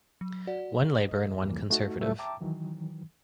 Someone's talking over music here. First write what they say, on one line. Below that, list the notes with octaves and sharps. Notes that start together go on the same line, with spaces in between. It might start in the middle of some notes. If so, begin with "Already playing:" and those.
One Labour and one Conservative.
F#3
F#4 D5 F#5
A4 D#5
C2 F2 E3 G3 A#3
A3 D#4 F#4
A2 F#3 G3 A3 F4
E5 G5 A5 A#5 D6
D#3 E3 F#3